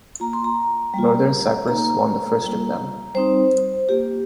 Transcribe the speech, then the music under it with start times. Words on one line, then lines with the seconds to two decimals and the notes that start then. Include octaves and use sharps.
Northern Cyprus won the first of them.
0.20 A#3 F4 A#5
0.33 C6
0.44 A#5
0.94 G3 A#3 F4
1.68 A#3 D#4 A#5
2.41 G3 A#3 F4
3.15 G3 C4 D#4 C5
3.89 A#3 F4 G4